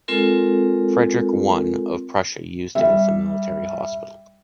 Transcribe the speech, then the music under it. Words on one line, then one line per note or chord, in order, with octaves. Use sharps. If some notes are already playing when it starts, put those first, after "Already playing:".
Frederic I of Prussia used it as a military hospital.
G#3 C4 F4 A4 A#4
G3 E5